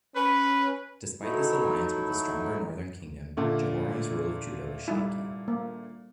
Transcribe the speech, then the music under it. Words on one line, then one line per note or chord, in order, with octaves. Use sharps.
Despite this alliance with the stronger northern kingdom, Jehoram's rule of Judah was shaky.
C#4 B4
F#3 A3 D#4 E4
A#2 D3 A3
G3 D#4 E4
A#3